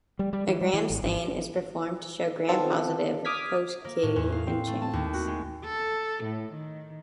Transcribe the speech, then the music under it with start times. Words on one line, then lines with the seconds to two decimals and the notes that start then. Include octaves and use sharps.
A Gram stain is performed to show Gram-positive cocci in chains.
0.19 G3
0.33 G3
0.48 E3
0.61 G3
0.74 E3
0.90 G#1
1.03 G#1
2.49 D#3 B3 C4 F4 A4
3.25 D6 D#6 F6 G#6 B6
3.85 A#3
4.03 A2
4.16 E2
4.32 F5
4.47 C4
4.67 A3
4.82 A5
4.93 D#2
5.14 F#4
5.27 G#3
5.64 A4
6.23 A2
6.52 D#3